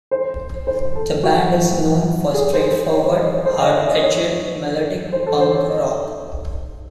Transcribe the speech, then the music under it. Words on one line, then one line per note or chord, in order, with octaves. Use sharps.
The band is known for straightforward, hard-edged melodic punk rock.
C5
C5
A4
F#4
G#4
C5
C5
C#5
C#5
D#5
C#5
C5
D#5
E5
D#5
C#5
C5
A4
C5
C#5
D#5